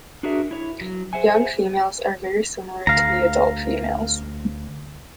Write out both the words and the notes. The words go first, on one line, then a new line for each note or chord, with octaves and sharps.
Young females are very similar to the adult females.
D4 F#4 G#4 A#4 D5 E5
E4 C#5
F#3
G#4 C5 E5 F#5 G#5
D2 F5 A#5